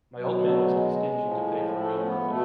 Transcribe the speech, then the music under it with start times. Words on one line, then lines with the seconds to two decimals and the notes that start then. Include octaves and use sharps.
My old man was too stingy to pay for real purple.
0.14 B2 F#3
0.41 A3
0.67 G#3
1.22 A2 F3
1.75 A3
1.93 C#4
2.02 B3
2.25 G#3
2.28 B2 A3